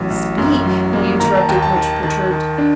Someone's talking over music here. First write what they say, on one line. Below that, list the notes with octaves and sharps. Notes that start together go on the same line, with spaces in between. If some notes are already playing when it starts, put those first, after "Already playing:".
"Speak," I interrupted, much perturbed.
Already playing: A1 F#3
A1
F#2
F#3
A#3
D#3 A#5
A5
D#2 G5
A5
D#3
D#3 A5
D#3
D4